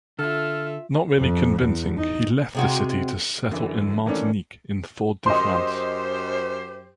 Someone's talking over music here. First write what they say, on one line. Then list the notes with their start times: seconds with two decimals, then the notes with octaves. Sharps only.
Not really convincing, he left the city to settle in Martinique, in Fort-de-France.
0.19 D3 F4 A4 E5 F6
1.17 F2
1.61 E2
1.98 D#4
2.55 C3 G#3 F#4
3.52 F#2 D3 E3
4.06 D#3 E3 A3 A#3 C#4 D4
5.26 F#2 G4 C5 D#5 C6